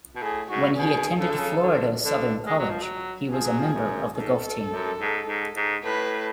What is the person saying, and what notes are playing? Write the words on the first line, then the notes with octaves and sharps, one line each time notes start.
When he attended Florida Southern College, he was a member of the golf team.
B2
A2 G#4
G#2 F#4
B2 G#4
C#3 A4
D3
C#3
D3
D3
G#3
F#3
F3
F#3
F3 G#4
F#3
F3
F#2
G#2 A4
F#2
G#2
G#2
G#2
A2 B4